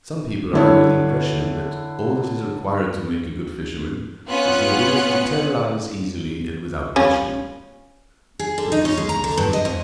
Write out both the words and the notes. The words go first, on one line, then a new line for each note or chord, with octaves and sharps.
Some people are under the impression that all that is required to make a good fisherman is the ability to tell lies easily and without blushing; but this is a mistake.
D3 E4 C#5
B3 C#4 F4 F#6 C#7
G3 C#4 F4
G#4
D3
D#4
C#4
G#3
A#5
D3
G2
D#5
F2